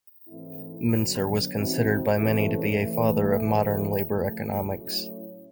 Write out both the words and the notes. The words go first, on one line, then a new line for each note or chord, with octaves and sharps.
Mincer was considered by many to be a father of modern labor economics.
G#2 E3 A3 C4 E4
F#2 D3 F#3 B3
E3 G3 C4 D#4 F#4
C3 E3 A3 C#4 E4
G#2 E3 A3
A2 E3 G3 B3 E4
C#3 F3 A3
A2 F#3 A3 C#4 E4